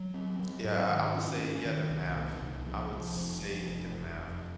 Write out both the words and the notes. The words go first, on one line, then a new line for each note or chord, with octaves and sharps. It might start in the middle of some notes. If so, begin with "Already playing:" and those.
Yeah, I I would say yeah, the math, I would say the math,
Already playing: F#3
C4
F#3
G#2
D#3
C#4
C#4
D#3
C2
A#2
C2
F3
F3
F1
F3
F1
F1
F2